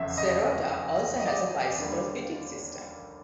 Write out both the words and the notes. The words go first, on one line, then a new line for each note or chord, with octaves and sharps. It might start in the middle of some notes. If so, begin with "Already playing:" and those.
Serotta also has a bicycle-fitting system.
Already playing: F1 E2 C#3 E5
D#5
D#5
D5
D#2 D3 G3 A#3